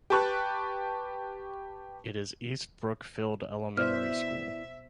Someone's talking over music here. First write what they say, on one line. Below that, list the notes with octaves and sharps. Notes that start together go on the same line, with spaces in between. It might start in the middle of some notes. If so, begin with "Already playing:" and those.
It is East Brookfield Elementary School.
G4 B4 A5 C#6 F#6
B2 B3 E4 C5 D5 E5 F6